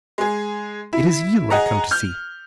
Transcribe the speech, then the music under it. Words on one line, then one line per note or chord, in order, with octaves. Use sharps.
It is you I come to see.'
G#3 G#4
E4
G#4 D#5 F#5 A#5
F6 G6